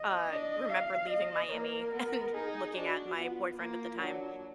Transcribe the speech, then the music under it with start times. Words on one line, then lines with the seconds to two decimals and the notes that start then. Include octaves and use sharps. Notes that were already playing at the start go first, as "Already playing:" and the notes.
uh, remember leaving Miami and looking at my boyfriend at the time,
Already playing: D#5
0.29 D4
0.69 F5
1.10 D#5
1.51 A#3 A#4
1.92 B3
2.34 D#4 G#4
2.74 D4 F#4
3.16 B3 F4
3.57 A#3
3.97 F#3 D4